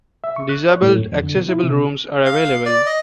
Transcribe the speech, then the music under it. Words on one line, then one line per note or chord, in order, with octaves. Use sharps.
Disabled accessible rooms are available.
E5
C#6
F#6
C#5
A2
F#2
F2
D3
B2
E4
C3
F5
D5
D#5